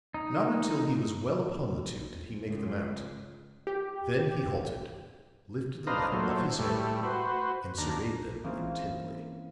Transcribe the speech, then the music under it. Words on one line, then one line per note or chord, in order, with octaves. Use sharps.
Not until he was well upon the two did he make them out; then he halted, lifted the light above his head and surveyed them intently.
D#4
C#2
G4
D4 B4 C5 D#5 F5 A#5
A#2 F#3 A3 C5
A2 G3 A3
F#4 B4 C5
D#2 D4 A#5
E3 G#3 A#3 C4 C#4 F4